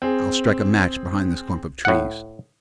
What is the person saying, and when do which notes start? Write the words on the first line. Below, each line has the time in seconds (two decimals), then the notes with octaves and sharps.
I'll strike a match behind this clump of trees.
0.02 C4 G#4
1.85 A2 F#5